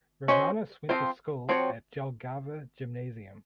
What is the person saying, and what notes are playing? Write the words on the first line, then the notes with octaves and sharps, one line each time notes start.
Romanas went to school at Jelgava Gymnasium.
C#4 F#4 C5 D#5
F3 G#3 C4 F4 C5
F3 C4 F#4 C#5